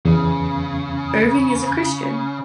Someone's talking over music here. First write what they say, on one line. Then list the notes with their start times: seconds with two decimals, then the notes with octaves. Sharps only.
Erving is a Christian.
0.05 E2 C#3